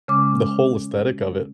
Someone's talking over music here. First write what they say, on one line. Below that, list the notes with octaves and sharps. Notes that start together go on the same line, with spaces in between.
the whole aesthetic of it.
C#3 G#3 C#4 D6